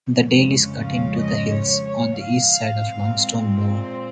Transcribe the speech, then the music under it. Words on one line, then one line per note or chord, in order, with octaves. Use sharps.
The dale is cut into the hills on the east side of Longstone Moor.
F2 C#3 G#3 C#4
F5
D#5
C#5
C#5
F5
A#2 G#3 C4
C5